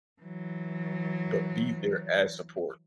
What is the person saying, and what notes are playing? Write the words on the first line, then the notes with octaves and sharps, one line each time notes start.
but be there as support.
E3 F#3